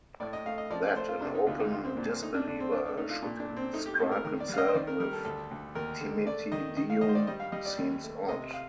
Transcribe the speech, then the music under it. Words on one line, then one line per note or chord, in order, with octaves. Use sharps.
That an open disbeliever should inscribe himself with Timete Deum seems odd.
A2 D5
D#5
A3 F5
D#5
F3 D5
D5
A3 C5
F4
C3 D4
D#4
D2 F4
D#4
C2 F4
C4
A#2 D4
A3 D#4
D4
D3 D4
C4
A3 D4
D4
A3 D#4
F4
A#2 D4
D4
A#2
C4
A3 D#4
G4
A2 A4
A#4
D#3 A#4
D5
G3 F5
D#5
C5
D#3 D5
A#4
G3 A#4
A4
D2 A4
D2
D#2 A#4
D3
A3 D5
D#3 D#5
D#3 D#5
F5
D#3 D#5
C5
D5
G3 D#5
F5
G3 D#5
D5
D#2
A3
C3 D#5
F5